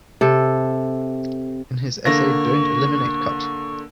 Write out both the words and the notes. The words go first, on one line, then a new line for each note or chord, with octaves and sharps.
In his essay Don't Eliminate Cut!
C3 A4
D3 A#3 C#6 A#6